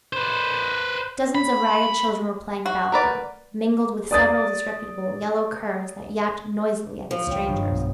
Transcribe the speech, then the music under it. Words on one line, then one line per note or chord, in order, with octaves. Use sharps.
Dozens of ragged children were playing about them, mingled with several disreputable yellow curs that yapped noisily at the strangers.
B4 C5
B5
F#4
A#4 B4 D5
D5 D#6 A6
F3
C#2 G#2 C#5 G5
F1 G2 D#3
B1 F#2